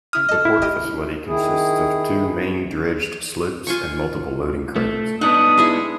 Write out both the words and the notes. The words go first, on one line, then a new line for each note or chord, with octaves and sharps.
The port facility consists of two main dredged slips and multiple loading cranes.
C#3 E4 D#6 F6
A4 D#5
E4
G4 D#5
D#3 E4 G#4
F4 G#5 C#6
A3
B3 D4 D#4 F#5 D#6
G#3 E4 G#4